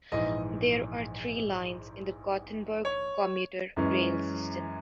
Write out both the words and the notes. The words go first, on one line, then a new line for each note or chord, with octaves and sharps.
There are three lines in the Gothenburg commuter rail system.
A#1 G#2 E3 D#5
C#5
F#2 E3 G#3 C#4